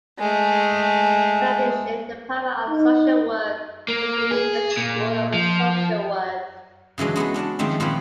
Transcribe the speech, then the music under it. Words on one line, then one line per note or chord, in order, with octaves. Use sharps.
In addition, the Department of Social Work was renamed the School of Social Work.
G#3 A3
D#4
A#3
G#4
A#2
F3
C#3 E3 F#3 G#3 D4
G#3 B3 F#4 A4
C#4 D4 F#4 A5
D#3 F3 G#3 A3 C4
A#2 F3 C4 B4 C#5 F#5